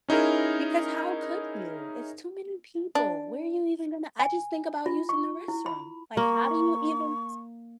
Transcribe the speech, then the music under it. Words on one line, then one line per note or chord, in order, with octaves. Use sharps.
Because how could you? It's too many people. Where are you even gonna I just think about using the restroom, like, how do you even S
C#4 D#4 E4 G#4 A#4
D4
G#5
F4
C#6
E4
B5
A#3 C#6